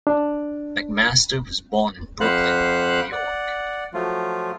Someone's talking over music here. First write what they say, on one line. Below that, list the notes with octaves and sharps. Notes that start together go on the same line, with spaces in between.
McMaster was born in Brooklyn, New York.
D4
F2 C5 F5 F#5 B5 F#6
D5 F#5
F3 F#3 A3 F4